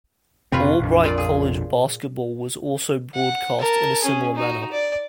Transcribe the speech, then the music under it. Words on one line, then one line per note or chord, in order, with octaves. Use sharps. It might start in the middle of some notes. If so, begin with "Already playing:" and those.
Albright College basketball was also broadcast in a similar manner.
F2 C3 C4 F4 B4 C#5
A#1 F2
A#2 F4 D5
G#4
F#5
A#4 A5
C#4 G#4
D#4 F#4
D5